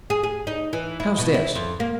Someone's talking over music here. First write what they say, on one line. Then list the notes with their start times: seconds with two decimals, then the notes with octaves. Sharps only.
How's this?
0.10 G#4
0.23 G#4
0.47 D#4
0.73 E3
1.00 E4
1.18 B2
1.34 E4
1.55 F2
1.80 A#3